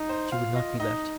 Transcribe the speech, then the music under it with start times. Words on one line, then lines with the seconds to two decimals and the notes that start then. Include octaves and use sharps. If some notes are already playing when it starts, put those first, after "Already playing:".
"She would not be left."
Already playing: D#4
0.09 C5
0.32 F4 F5
0.56 D#5
0.79 D#4 D#5